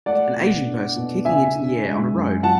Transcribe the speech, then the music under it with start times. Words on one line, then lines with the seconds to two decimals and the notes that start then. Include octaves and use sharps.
An Asian person kicking into the air on a road.
0.06 A3 D5 F#5
0.36 B2
0.66 D4
0.96 B2
1.25 C#3 E5 G#5
1.55 D4
1.84 G#3
2.14 F#2
2.43 F#3 F#5 A5